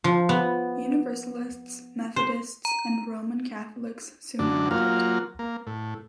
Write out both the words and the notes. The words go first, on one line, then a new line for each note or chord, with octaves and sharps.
Universalists, Methodists and Roman Catholics soon arrived.
F3
B3
C5
A#5
F#2 D3 D4
F#3 A#3 F4
A#3
A2